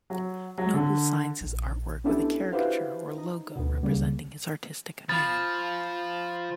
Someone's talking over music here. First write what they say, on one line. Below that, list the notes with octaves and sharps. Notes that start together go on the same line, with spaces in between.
Noble signs his artwork with a caricature or logo representing his artistic name.
F#3
F#3
D3
A#1
B3 C#4 D4 E4 G4 A4
E4 F#4 G4 B4 C5 F5
D#4
D2 B2
C#2 C#3 G3 A#3
F3 B5 A6